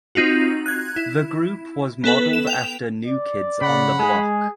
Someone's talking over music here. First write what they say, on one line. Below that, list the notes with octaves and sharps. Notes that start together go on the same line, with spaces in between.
The group was modeled after New Kids on the Block.
C4 D#4 F4 F#4
F#6 G#6
E4
B3 A4 B4
E7
G5 F7
D5
C#3 F#5 B5
G#3 G#4